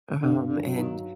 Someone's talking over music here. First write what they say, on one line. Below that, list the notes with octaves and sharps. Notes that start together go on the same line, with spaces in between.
uh-huh um, and
G2 D3
D3
F#3
D#3